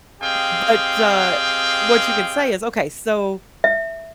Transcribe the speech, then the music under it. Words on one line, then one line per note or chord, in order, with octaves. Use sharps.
but, uh, what you could say is, "Okay, so"
C4 G4 G#4 D#5 F5 G5
E5